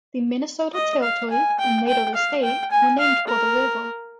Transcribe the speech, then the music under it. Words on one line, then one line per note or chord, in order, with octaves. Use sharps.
The Minnesota Territory, and later the state, were named for the river.
D#5
F5
G#5
G5
G5
F5
G5
G#5
F5
A#4